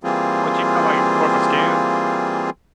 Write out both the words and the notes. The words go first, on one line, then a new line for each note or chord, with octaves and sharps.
But you felt like it was more of a scam?
E3 G3 A#3 C4 F4 G#4